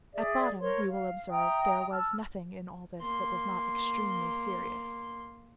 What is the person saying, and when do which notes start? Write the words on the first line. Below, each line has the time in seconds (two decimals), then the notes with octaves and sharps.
At bottom, we will observe, there was nothing in all this that was not extremely serious.
0.14 G#4 D5 E5
0.60 A#4 C5 C#5 C6
0.88 F5
1.30 E5 G5 A#5 D#6
1.91 A5 E6 F6
3.01 A#3 C6